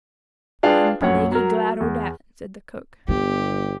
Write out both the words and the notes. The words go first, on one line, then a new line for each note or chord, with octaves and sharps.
"I'm plaguy glad o' dat," said the cook.
D4 F4 G#4 B4 F5 G5
A#1 F#2 C#5 F#5
F#3 A#4
E2
G1 B3 G4